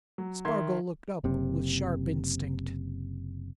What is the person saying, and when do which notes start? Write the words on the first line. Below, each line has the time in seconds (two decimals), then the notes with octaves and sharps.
Spargo looked up with sharp instinct.
0.18 F#3
0.45 D#3 E5 C6 G#6
1.24 F#1 C3